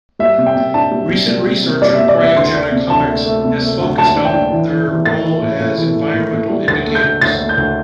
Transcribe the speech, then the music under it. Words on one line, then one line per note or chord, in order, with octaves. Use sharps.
Recent research on cryogenic hummocks has focused on their role as environmental indicators.
G3 E5
C3
G5
C3
D4 A5
G3
C3
G3
C3
C3
G3 D5
E5
G3
D5
C3 E5
D2 C6
D4
C3
D2 A5
A3
A3
C3
A3
D2
D2 A5
D4
G5
D4
E3
E3
E3
A2 A6
E3
A2
A2
E3
A2
A2
A2
G3
D2 A6
A3
G6
D2
D2 A6
A3
G6
D2